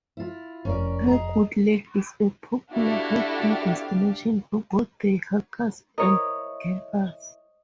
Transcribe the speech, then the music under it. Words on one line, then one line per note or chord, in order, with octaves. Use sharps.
Packwood lake is a popular hiking destination for both day hikers and campers.
E4 F4
F1 C#4 A#4 D5
G#4 D#5 A#5
D4 E4 F#4 G4 A4 F5
E4 A#4 C#5 D#5